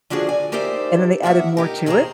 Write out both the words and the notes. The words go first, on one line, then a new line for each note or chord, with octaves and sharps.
and then they added more to it.
D3 F3 D4 F#4 G#4
D5 G#5
D#4 G4 A#4 C5 D5 E5
F3 A#3 E5 F#5
D#4 G4 A#4
D#2 D#3 G#4 A#4 C5 A#5